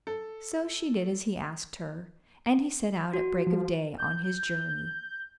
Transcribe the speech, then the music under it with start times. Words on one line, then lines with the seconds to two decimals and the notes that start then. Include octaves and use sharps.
So she did as he asked her, and he set out at break of day on his journey.
0.07 A4
3.13 F#4
3.47 F3
3.98 G6